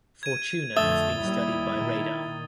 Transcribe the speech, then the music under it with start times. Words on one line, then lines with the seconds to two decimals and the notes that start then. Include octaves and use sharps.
Fortuna has been studied by radar.
0.23 G#6 D#7
0.76 F2 D3 A3 E5 D#6 A6 G7
1.17 D#2 G3 E4
1.72 A#2 D#3